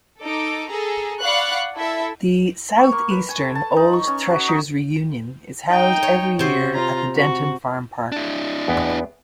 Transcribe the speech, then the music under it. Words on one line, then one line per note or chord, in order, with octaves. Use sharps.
The "Southeastern Old Threshers Reunion" is held every year at the Denton Farmpark.
D#4 A4 D6
G#4 A4 A#5
D5 F5 F#5 B5 C#6 F#6
E4 A4 E5
C#6
A#3
B4
G#5
A4
A5
D#4
C#6
C#4
F#4
D#4
D#4 G5
C#5
C3 F#4 C5
F4 A#5
F#4
D4 E4
E2 B3 G5